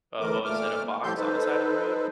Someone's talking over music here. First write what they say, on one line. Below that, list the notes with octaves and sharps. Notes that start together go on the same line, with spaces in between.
uh, what was it, a box on the side of the road?
D2 E3 A3 A#4 D6
A#2 A3 D6 F6
A2 F3 G4 A4 C6 G6
D#4 A4 B4 C5